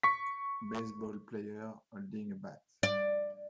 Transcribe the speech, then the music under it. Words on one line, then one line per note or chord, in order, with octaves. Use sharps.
Baseball player holding a bat.
C#6 B6
D5